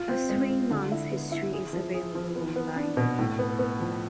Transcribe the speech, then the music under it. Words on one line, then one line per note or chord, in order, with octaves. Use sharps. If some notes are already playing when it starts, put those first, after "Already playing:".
A three-month history is available online.
Already playing: F4
C4
G#3
F4
D3
E4
B3
E4
G#4
F3
G#4
F3
B3
B3
D4
B2
A2
B3
B3
F3